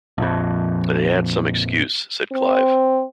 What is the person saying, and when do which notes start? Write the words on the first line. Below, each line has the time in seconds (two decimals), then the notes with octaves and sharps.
"They had some excuse," said Clive.
0.18 A#1 F2
2.32 C4